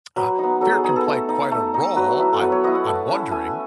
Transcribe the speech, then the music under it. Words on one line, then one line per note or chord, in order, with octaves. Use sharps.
uh, fear can play quite a role, I I'm wondering.
F#3 B4
B3 D#4
F#3 A4
G#4
B3 D#4 G#4
A4
A3
D#4
A3
D#4
F#3 B4
B3 E4
A4
F#3 B4
C#5
B3 E4 D#5
F#5
A3 A5
C#4 E4
A3 G#5